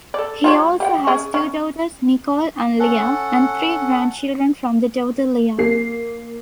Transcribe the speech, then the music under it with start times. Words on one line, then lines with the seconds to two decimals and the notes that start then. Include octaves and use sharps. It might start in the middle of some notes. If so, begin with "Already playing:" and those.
He also has two daughters, Nikol and Lea, and three grandchildren from daughter Lea.
0.14 A4 D5
0.44 F4 G4 C#5
0.80 G4 F#5 G5
1.07 C#4 G#4
1.34 C#4
2.80 C#4 A4 F#5
5.58 A#3 C7